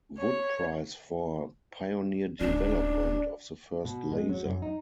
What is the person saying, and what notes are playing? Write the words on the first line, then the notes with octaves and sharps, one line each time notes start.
Wood Prize for "Pioneer Development of the First Laser".
C#5
D1 C#4 D4 D5
B2
G#3
F#3
F#2
D#4